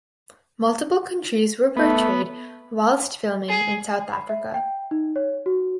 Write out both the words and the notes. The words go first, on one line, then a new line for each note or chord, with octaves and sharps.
Multiple countries were portrayed whilst filming in South Africa.
A3 B3
G#4
B5
E5
G5
D#4
C#5
F#4